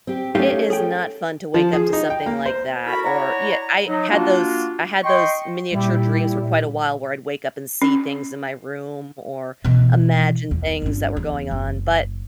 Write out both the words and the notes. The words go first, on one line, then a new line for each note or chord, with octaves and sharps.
It is not fun to wake up to something like that or ye I had those I had those miniature dreams for quite a while where I'd wake up and see things in my room or imagine things that were going on, but
C4 G4
A3 C#4 D#4 G4 F5
G#4 G5
F3
G#4
D#4
G5
A#3
C5
E4 F#4 A4 A#4 A5 B5
E4 C#5 D5 F#5 A#5
F#3 D#4
A#3 D4 F4 F#4
D#5 G5 C6 C#6
A#2 G3 E4 G4
C#4
B2 E3
E2
G1 D4
E2
F#1